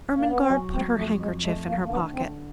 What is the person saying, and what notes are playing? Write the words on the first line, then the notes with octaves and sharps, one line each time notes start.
Ermengarde put her handkerchief in her pocket.
A#3
B3
C4
F#3 C#4
C4
F2 A3
G#3
G#3 A3
A#3
A#3
D3 B3
C4